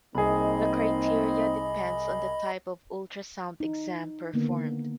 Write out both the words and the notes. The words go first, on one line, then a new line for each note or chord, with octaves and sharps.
The criteria depends on the type of ultrasound exam performed.
C2 A#3 C4 D#4 G#4 D#5 B5
D#4
D3 D#3 A#3 B3